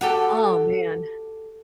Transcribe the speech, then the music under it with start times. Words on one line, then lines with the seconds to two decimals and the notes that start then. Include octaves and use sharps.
Oh, man.
0.01 F#4 G4 A4